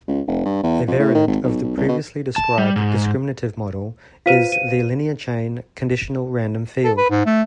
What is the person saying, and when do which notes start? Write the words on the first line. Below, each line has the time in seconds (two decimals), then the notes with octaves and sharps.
A variant of the previously described discriminative model is the linear-chain conditional random field.
0.08 C#2
0.28 F1
0.46 G2
0.63 E2
0.88 F2
0.99 A2
1.15 D#3
1.27 G#1
1.44 B1
1.63 B1
1.77 C2
1.89 B2
2.36 A5
2.58 G3
2.76 G#2
4.26 F4 B4 C5 F5 D#7
4.52 D#7
6.84 A4
6.97 B4
7.10 G#2
7.26 A3